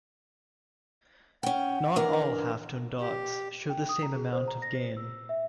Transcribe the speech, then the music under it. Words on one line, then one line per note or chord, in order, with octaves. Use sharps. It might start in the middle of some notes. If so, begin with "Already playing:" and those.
Not all halftone dots show the same amount of gain.
C#4 F#5 G5
E3 D4 A#4
G4
G5
D#6
A#5
G#4
C5
A#5
A#6
C5
E6
E5